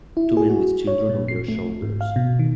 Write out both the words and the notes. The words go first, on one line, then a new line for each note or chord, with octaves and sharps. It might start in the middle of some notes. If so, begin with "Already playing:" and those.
Two men with children on their shoulders.
E4
G#4
F#4
C#5
A#2
C7
A3
G#2
F5
B2
D#3